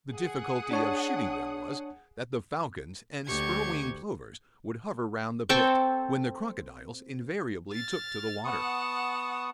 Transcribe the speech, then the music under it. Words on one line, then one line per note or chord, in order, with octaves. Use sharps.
The difficulty of shooting them was, that the falcons and spurwing-plovers would hover round the pit, when the crocodiles invariably took to the water.
G#4 F#5 D#6
D4 C#5 A5
D2 G4 C#6 G#6
C4 A4 G5 C#6
F6 A6
B3 F#5 A5 C#6 D#6